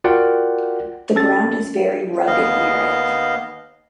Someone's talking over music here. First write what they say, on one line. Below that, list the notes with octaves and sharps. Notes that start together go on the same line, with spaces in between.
The ground is very rugged near it.
F4 F#4 A#4 D5 F#5 G5
C#4 A4 A6
D#2 B3 D#5 F5